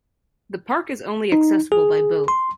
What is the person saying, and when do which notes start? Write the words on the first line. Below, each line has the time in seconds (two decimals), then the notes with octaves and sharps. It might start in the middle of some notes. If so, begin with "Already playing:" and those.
The park is only accessible by boat.
1.32 D#4
1.72 G#4
2.28 C6